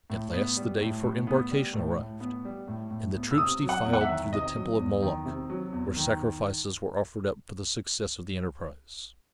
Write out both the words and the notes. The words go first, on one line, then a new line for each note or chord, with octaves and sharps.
At last the day for embarkation arrived, and the troops defiled through the temple of Moloch, where sacrifices were offered up for the success of the enterprise.
A2
B3
G3
A2
A2
B3
G3
A2
A2
B3
G3
A2
A2
B3
E6
C3 D#6
F#3
F#5
E2
F#5
E5
D#3
C3 D#5
F#3
E2
D#3
C3
F#3
E2
D#3